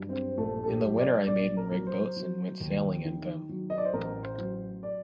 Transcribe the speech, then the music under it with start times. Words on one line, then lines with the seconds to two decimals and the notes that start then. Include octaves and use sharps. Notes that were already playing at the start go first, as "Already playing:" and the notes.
In the winter I made and rigged boats and went sailing in them.
Already playing: G2 F#3
0.09 C4
0.38 A#1 A3
0.64 A4
0.68 G4
0.82 F#3
0.98 D5
1.27 A#1 D5
1.57 A#4
1.71 F#3
1.87 C5
2.16 F#3
2.60 D#2
3.05 D#3
3.49 F#3
3.70 D#5
3.78 D5
3.85 C5
3.93 A1 A#4
4.23 C5
4.38 F#3
4.83 D5